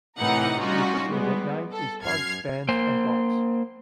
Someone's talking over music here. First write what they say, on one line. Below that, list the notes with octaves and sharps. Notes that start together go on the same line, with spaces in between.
The official event name is "Bugs Bands and Bikes".
A2 C3 E3 D#4 A#4 F#5
G3 C#4 D#4 F4 F#4
G3 G#3 B3
A4
F#2 F6 G#6 C7
A#3 C5